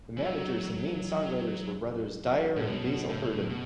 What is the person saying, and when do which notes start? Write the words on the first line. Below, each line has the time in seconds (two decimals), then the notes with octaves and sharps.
The managers and main songwriters were brothers Dyer and Basil Hurdon.
0.17 E3
0.21 F#3 F#4
0.62 E3
1.03 E3
1.45 E3
1.85 F#2
2.26 F#3
2.56 A2
2.67 F#2 B2
3.08 A2 C#3
3.49 B2 A3